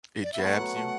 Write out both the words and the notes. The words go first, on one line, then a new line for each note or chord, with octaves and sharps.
It jabs you.
D5
B3 E5
A3 F#5
F#3
A3